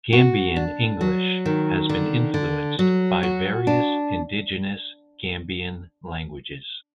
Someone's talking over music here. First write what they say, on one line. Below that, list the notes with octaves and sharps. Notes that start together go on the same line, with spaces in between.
Gambian English has been influenced by various indigenous Gambian languages.
F#4
D4
F#3
D#3
D3
D3
F#3
F#4
D4